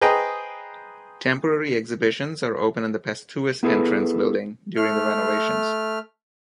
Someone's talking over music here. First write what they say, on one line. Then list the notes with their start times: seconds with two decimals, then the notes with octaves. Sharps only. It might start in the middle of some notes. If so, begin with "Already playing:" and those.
Temporary exhibitions are open in the "pesthuis" entrance building during the renovations.
0.01 G#4 B4 C5 D#5 G5 A#5
3.63 B3 E4 G#4 A4 B4
4.76 A3 F6